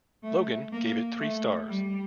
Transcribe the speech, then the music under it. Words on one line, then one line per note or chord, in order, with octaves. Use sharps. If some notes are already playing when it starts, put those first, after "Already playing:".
Logan gave it three stars.
A3
A#3
A3
G3